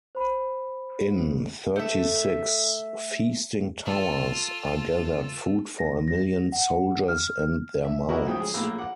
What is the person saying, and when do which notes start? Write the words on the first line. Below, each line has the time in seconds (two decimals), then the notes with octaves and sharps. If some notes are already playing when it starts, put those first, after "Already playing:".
In thirty-six feasting towers are gathered food for a million soldiers and their mounts.
0.15 C5 B5
1.76 A3 E5
3.85 F4 A4
5.79 A#6
6.08 A#6
6.52 F#5
7.08 F6
7.85 E5
8.09 E4 F#4 G4 A#4 D#5 C#6
8.26 C#2 F3 G5 D#6
8.40 G#4
8.54 A#1 A2 A#3 E6
8.78 F#5 D6